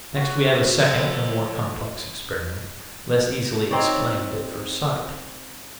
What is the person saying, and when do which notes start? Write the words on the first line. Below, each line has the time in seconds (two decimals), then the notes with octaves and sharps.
Next we have a second and more complex experiment, less easily explained at first sight.
0.16 F#4
0.80 F2 D3 F#3
3.71 C4 D#4 C#5 D5